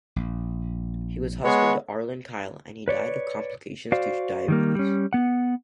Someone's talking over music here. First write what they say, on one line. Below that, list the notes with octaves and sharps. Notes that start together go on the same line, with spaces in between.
He was husband to Arlene Kyl, and he died of complications due to diabetes.
A#1
G#3 B3 C#5
B4 C#5 D5
F#4 C5 D5 F5
D#3 G3 A#3
G3 C#4
B3 F#5